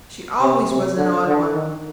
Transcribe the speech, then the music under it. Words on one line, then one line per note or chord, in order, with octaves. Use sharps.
She always was an odd one.
C3
C3
D3
D3
D#3